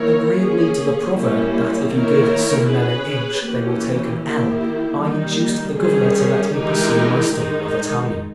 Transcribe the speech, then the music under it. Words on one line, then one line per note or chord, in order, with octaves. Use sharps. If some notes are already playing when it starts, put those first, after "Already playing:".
Agreeably to the proverb that if you give some men an inch they will take an ell, I induced the Governor to let me pursue my study of Italian.
Already playing: D#3 A#3 E4 A#4 C#5
A#3 C#4 G#4
G3 A#3 C#4 E4
D#3 A#3 E4 A#4 C#5
C#4 G#4 B4
E3 A#3 C#4 G4
D#3 A#3 E4 G4
D#3 G3 A#3 D#4
D#3 G3 C#4 G#4
E3 G#3 D#4 G4 A#4
D#3 G#3 D#4